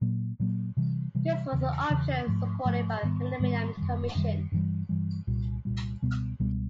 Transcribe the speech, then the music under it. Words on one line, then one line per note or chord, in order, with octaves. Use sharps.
This was the option supported by the Millennium Commission.
A#2 F#3 A#3
A#2 F#3 A#3
C3 E3 G3
C3 E3 G3
E2 C#3 E3
E2 C#3 E3
G#2 F3 A3
G#2 F3 A3
G#2 D#3 G3 B3
G#2 D#3 G3 B3
F#2 D#3 G3
F#2 D#3 G3
G2 E3 G3
G2 E3 G3
C2 A#2 G3
C2 A#2 G3
C#2 B2 G3 B3
C#2 B2 G3 B3